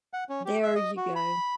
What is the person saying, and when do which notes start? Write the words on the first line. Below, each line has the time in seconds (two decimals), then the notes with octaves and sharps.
There you go.
0.14 F#5
0.29 C#4
0.45 G4
0.63 E5
0.76 D#5
0.97 F#4
1.15 B5